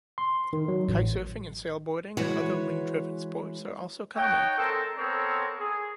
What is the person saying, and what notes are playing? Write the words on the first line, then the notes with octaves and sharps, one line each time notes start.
Kitesurfing and sailboarding and other wind-driven sports are also common.
C6
D#3
F#3
A1
E3 G#3 F#4 B4 C#5
D#4 F#4 C#5 G5
G#3 C4 A4 A#4 C5
B3 C4 A4 A#4 C#5
G#4